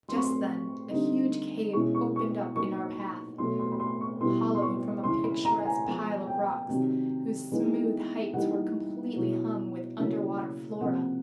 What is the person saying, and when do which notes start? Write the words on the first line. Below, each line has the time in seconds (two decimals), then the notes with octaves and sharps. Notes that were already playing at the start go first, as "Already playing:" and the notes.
Just then a huge cave opened up in our path, hollowed from a picturesque pile of rocks whose smooth heights were completely hung with underwater flora.
0.08 F#3 A3 C4 C6
0.17 C#6
0.24 C6
0.91 D3 G3 C4 D#4
1.73 B2 G#3 C#4 E4 C#6
1.95 C#6
2.16 C#6
2.56 F#3 A#3 D#4 C#6
3.38 B2 F#3 A3 C6
3.59 C6
3.72 B5
3.80 C6
4.01 C#6
4.21 B2 G3 B3 E4 C6
4.55 C6
4.62 C#6
5.04 C#3 E3 G#3 C6
5.24 B5
5.45 A#5
5.65 G#5
5.86 F3 G#3 B3 G#5
6.27 G5
6.68 C3 D#3 F#3
7.52 E3 G#3 B3 D#4
8.33 E3 G3 A#3 D#4 F#5
9.16 B2 F#3 B3 E4
9.98 C#3 F#3 A#3 C#4 E4
10.81 C3 F3 A#3 F#5